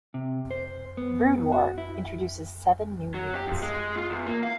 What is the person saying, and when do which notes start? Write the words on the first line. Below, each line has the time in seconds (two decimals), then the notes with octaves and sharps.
"Brood War" introduces seven new units.
0.14 C3
0.51 C5
0.97 B3
1.52 F#4
1.78 E4
3.14 F#3
3.35 G4
3.47 F2
3.62 G#3
3.97 F4
4.10 E2
4.26 A#3
4.43 F5